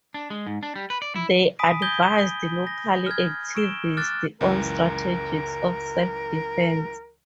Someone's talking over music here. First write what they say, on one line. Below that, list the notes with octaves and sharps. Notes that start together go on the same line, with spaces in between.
They advised local activists on strategies of self-defense.
D4
G#3
G#2
D4
G3
B4
D5
E4
G#5 B5 D#6 B6 D7 D#7
D#6 G6 G#6 A#6 B6 G7
A#6
F6 G#6
C#6 E6 D7 E7 G7
D6 F6 F#6 A6
C#2 F#2 E3 A#4